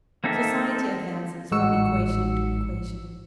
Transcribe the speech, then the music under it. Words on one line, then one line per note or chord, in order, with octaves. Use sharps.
Society advances from equation to equation.
A#3 C4 D#4 A4 E5
A1 G#2 D#4 F#4 E6 C#7